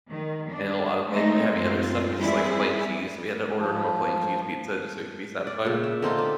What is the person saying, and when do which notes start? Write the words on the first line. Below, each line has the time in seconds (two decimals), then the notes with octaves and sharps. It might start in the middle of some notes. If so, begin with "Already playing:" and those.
and a lot of like heavy other stuff, he just likes plain cheese, so we had to order him a plain cheese pizza just so he could be satisfied.
0.11 D#3
0.49 D4
1.10 G#3 A3 C4 D#4
1.52 F#2 C4 F4
2.19 G3 C4 E4 G#4
3.59 F3
5.47 D5
5.65 A#2 C#3
5.84 E5
6.02 D3 C4 D#4 F4
6.18 A#3 G4